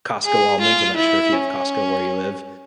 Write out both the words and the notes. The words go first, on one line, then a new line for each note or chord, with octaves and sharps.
Costco almonds, I'm not sure if you have Costco where you live,
G#4
F4
E4
C#4